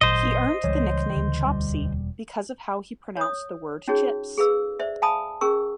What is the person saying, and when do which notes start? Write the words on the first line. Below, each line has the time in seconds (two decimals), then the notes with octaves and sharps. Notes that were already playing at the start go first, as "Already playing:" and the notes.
He earned the nickname 'Chopsy' because of how he pronounced the word 'chips'.
0.01 G#1 A#2 F#3 C5 D#5
0.64 C#2 C#3 E3 G3 C#5
1.12 D2 D3
1.46 E1 G3
3.17 C#5 D#6
3.88 C#4 D#4 F#4 G#4 C#5
4.38 G#4 A4 B4 F5 E6
4.79 C5 D5 E5
5.02 F5 G#5 A5 B5 D#6
5.41 C#4 G#4 A#4 C#6 E6